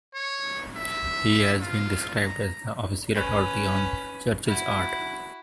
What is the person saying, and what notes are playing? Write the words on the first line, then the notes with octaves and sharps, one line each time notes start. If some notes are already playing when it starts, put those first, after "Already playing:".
He has been described as the official authority on Churchill's art.
C#5
E5
F4
A#5
C#4 B4
E4 F#4